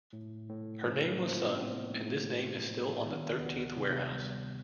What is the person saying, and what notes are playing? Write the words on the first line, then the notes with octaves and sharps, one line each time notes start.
Her name was Sun and this name is still on the thirteenth warehouse.
A2
A2
F3 C#4
F3 A#3
B3
A2 C4
A2
F3
F3
D#3 B3
D2 B3
C3
G3